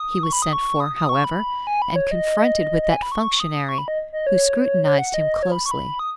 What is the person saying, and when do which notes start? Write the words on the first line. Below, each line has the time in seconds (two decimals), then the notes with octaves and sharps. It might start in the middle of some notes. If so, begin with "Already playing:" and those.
He was sent for, however, and confronted with that functionary, who scrutinized him closely.
Already playing: D#6
0.23 C#6
0.33 B5
0.42 D#6
0.53 C#6
0.80 D#6
0.96 D#6
1.09 C#6
1.24 B5
1.67 G#5
1.82 B5
1.96 C#5
2.11 D#5
2.82 D#5
2.93 G#5
3.02 B5
3.12 C#6
3.40 D#6
3.69 C#6
3.78 B5
3.88 D#5
4.13 D#5
4.27 C#5
4.84 C#5
4.98 F#5
5.14 D#5
5.43 C#5
5.52 B5
5.66 C#6
5.71 B5
5.99 D#6